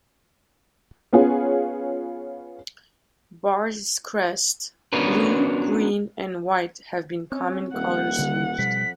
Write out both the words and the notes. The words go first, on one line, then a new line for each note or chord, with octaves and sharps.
Bar this crest, blue, green and white have been common colours used.
B3 C#4 F4 G#4
B3 C#4 D4 F#4 A#4 B4
C4 C#4
D#1 F#5
D3 G3
F2 B2 G3 B6